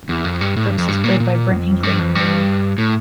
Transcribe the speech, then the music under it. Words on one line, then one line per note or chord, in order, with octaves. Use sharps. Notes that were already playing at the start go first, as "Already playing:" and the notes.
Brooks is played by Brent Hinkley in the movie.
E2
F2
G2
A2
G2
F2
G2
A#2
A#2
F2
G2
F2
G2
A2